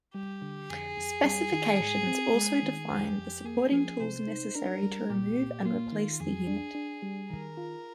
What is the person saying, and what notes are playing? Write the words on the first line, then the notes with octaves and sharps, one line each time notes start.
Specifications also define the supporting tools necessary to remove and replace the unit.
G3 G4
D3
F2 G#4
F2
G3
D#3
G#2
C4
G#3
D#3
F2 G4
F2
A#3 G#4
F3
C3 C5
D#4
D4 A#4
G3
A#2 G4
A#2
A#3 F4
D#3
F2 G#4
D4
D4
G3
D#3 A#4
F4